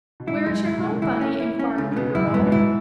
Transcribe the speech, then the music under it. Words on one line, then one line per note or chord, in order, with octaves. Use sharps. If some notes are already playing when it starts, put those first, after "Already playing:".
"Where is your home, bunny?" enquired the girl.
B2
G#2 E4
F#2 G#3
G#2 E4
B2
G#3
C#3
E3 E4
C#4
E4
C#4
C#2 C#3
C#3
B2 B3
F#2 E4
G#2
F#2 B3
B2
G#2 E4